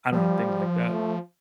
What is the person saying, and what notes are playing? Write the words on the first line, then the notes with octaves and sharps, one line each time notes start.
I don't know, things like that.
F3 G3
A3